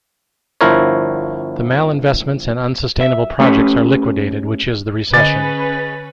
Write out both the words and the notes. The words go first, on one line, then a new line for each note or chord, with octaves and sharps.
The malinvestments and unsustainable projects are liquidated, which is the recession.
G1 F3 E4 A#4 C5 C#5
E5
A3 C#4 G4 B4
D3 C#4 G#4 B4 D#5 A6